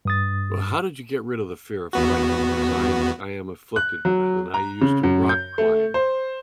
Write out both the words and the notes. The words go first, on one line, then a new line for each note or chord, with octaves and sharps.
Well, how did you get rid of the fear of heights? Because I I am afflicted with that, and I used to rock climb.
G2 D#6 A6
E2 B3 F#4
F#6
F#3
A#5
C#3
F#2
G6
A3
C5